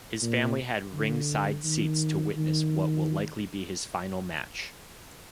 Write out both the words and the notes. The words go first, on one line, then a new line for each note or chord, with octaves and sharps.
His family had ringside seats to witness what will likely be his final match.
A#2
D3
D#3
D#3